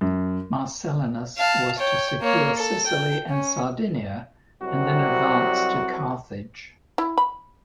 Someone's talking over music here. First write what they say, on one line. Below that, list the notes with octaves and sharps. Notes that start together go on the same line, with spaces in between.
Marcellinus was to secure Sicily and Sardinia and then advance to Carthage.
F#2
F5 A5
C#5 G5
A#3 C#5
A4
G5
C#4
C2 C3 F#3 G3 F#4
E4
B5